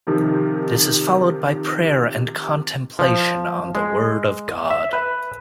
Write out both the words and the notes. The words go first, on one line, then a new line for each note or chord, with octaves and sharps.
This is followed by prayer and contemplation on the Word of God.
C3 D#3 F3 D#4
F3
G#3
E5
B4